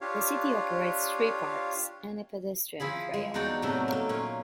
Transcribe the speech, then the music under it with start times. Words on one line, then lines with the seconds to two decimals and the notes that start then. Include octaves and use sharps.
The city operates three parks and a pedestrian trail.
0.01 D4 F4 G4 C#5 F5
2.80 F3 E4 G#4 B5
3.14 G#3
3.34 E2 D4 D#4 F#4 D5 G5
3.62 A2 C3 F#3 A3 B3
3.88 A3 A#3
4.09 A#2 C#4